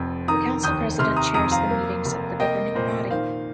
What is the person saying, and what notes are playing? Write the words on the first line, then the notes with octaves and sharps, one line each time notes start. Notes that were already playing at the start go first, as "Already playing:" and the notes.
The Council President chairs the meetings of the governing body.
Already playing: F1 F2
D#3 A#5 D#6
D#2 D#6 G6
C3 C6 F6
A#5 D#6
F2 A#5 D#6
F5 A#5
A#3
F1
A#3 D#5 G5
A#2 C5
D#3 C5 F5